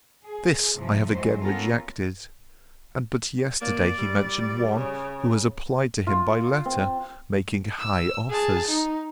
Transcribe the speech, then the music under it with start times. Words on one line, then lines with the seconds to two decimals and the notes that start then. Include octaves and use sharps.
This I have again rejected; and but yesterday he mentioned one who has applied to him by letter, making high offers.
0.24 G#4
0.76 G2 C3 E3 F3
1.08 E3 F#3 G#3 C5
1.40 B3 C#4 F4 A4 A#4
3.61 A#3 D5
3.98 G3
4.72 C#3
6.07 F4
6.65 C4
7.79 E6
8.30 G#4 A5
8.67 D#4